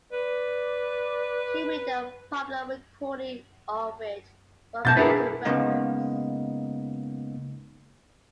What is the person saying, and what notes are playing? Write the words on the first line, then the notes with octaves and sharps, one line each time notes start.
She made a popular recording of it for Victor Records.
B4 D5
B2 A5 G6 A6
D4 E4 G#4 A#4 B4
C#3 G#3 A#3 B3 D#4